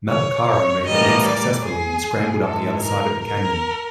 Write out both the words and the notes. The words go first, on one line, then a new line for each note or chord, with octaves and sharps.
Malacara made the leap successfully and scrambled up the other side of the canyon.
C#5
C#5
A2 E3 G3 A#3 D#5
D5
G#4
G#2 E3 G#3 A4
A#4
A#4